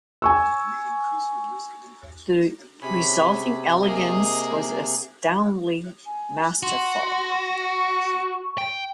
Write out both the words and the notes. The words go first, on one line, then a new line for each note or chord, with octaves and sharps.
The resulting elegance was astoundingly masterful.
G#5 C#6 E6
C3 C#4 G#4 B5
A#3 G#4 D#5
G#5
F#4 C6
C#6
G5